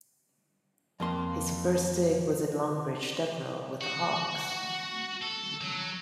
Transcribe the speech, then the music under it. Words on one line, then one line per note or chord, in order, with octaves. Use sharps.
His first dig was in Longbridge Deverill with the Hawkes.
F2 A#3 C6
F#4
A4
F#3